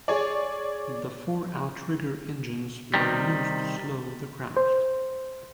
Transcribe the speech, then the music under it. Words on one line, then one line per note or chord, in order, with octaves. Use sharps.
The four outrigger engines were used to slow the craft.
G#4 C#5 D5
C3 D#3 G3
C5